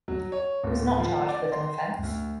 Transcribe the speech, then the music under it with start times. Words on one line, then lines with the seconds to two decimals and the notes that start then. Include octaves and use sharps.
He was not charged with an offense.
0.08 F#3
0.32 C#5
0.63 D1
0.99 F3
1.29 D5
1.52 C6
2.03 D2